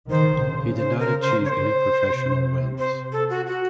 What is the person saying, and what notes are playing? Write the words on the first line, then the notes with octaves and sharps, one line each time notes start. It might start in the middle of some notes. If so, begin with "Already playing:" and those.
He did not achieve any professional wins.
D#3 C5
C#3
C5
A#4
C5
C#5
C5
C3
C5
A4
F#4
F#4